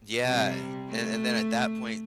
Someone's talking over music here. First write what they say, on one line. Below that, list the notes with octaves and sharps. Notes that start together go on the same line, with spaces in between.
Yeah. And and then at that point,
C3 G3
A3